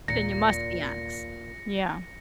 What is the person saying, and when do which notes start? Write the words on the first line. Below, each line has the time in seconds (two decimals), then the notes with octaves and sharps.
Then you must be honest. Yeah.
0.08 D#2 A#2 A#6 C#7